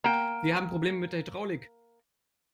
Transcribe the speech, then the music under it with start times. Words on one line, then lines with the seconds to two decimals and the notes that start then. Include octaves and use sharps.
Wir haben Probleme mit der Hydraulik.
0.04 A#3 G5